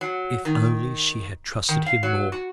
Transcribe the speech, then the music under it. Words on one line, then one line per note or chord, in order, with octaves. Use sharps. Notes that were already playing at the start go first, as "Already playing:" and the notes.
If only she had trusted him more!
F#3
D#3
D#3
F5
F#3
F#4